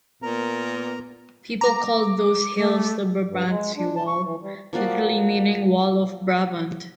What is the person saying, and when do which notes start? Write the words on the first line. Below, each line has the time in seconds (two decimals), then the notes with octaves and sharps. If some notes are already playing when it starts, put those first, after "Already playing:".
People called those hills the "Brabantse Wal", literally meaning "wall of Brabant".
0.22 A#2 B3 A#4 A#5
1.61 A#5 D6
2.56 A3
3.30 G2
3.49 G#3
3.77 D4
3.96 A5
4.07 C#6
4.25 E3
4.42 G3
4.73 F3 A#3 F#4 D5